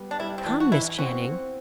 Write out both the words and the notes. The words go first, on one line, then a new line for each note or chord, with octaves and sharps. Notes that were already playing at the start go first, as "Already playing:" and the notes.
"Come, Miss Channing."
Already playing: G3 B3
D4
G3 E4
C4
E3 D4
F#4
E3 E4
C4 F#4
C4